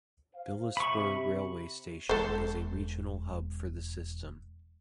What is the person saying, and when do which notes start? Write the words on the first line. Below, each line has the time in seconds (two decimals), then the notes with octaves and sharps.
Bilaspur Railway Station is a regional hub for the system.
0.35 C5 F5
0.77 C3 B5 C#6
2.09 E1 G#3 A4 C5